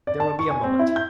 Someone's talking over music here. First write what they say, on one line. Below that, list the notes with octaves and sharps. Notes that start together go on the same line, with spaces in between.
There will be a moment!
D5
A5
C#6
G#5
C4
E4
G6